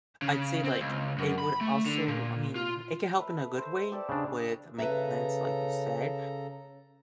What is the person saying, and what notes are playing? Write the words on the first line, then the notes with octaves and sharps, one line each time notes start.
I'd say, like, it would also I mean, it can help in a good way with making plans, like you said,
C#3
C4
C#2
F#2
B5
A3
D3
A#2
F4
A4 B4 E5
C5
G4 A4 D5
C#3 D4
C#3 A4 B4 C#5 E5 A#5